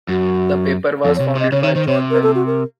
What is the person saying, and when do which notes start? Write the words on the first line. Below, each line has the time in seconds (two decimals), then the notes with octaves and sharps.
The paper was founded by John Bell.
0.08 F#2 F#4
1.04 F2 A4
1.16 C#5
1.20 C3
1.35 C3 D#5
1.52 C#3 C#5
1.63 D#3 C#5
1.75 D#3 C5
1.87 C3 C#5
2.10 A#4
2.23 A4
2.35 F#4
2.46 A#4